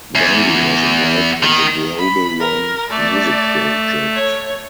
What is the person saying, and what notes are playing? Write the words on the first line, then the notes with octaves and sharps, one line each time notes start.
Vandi was involved in the Global One music project.
E2
D#3
B5
A#4
A3 D5
C#5